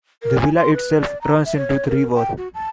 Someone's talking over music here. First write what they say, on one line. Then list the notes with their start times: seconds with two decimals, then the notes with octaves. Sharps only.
The villa itself runs into the river.
0.23 A#4
0.40 G#5
0.57 C6
0.74 B4
0.99 D5
1.21 A#5
1.45 E5
1.57 C#5
1.88 A#4
2.15 G5
2.38 F#4
2.55 A5